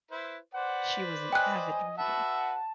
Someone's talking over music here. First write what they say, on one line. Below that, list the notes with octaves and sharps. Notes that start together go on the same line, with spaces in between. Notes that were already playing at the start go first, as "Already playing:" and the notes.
She was an avid reader.
E4 B4 C5
B4 C5 D5 F#5
D#5 G5 G#5 F#6
F#4 B4 E5 F#5 A5